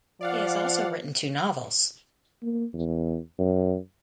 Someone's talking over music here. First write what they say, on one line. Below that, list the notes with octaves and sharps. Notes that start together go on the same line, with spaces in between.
He has also written two novels.
F3 D5 F5 F#5
A#3
E2
F#2